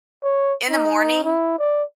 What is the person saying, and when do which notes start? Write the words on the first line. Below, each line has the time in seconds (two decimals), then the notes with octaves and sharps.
in the morning,
0.23 C#5
0.70 D#4
1.24 E4
1.59 D5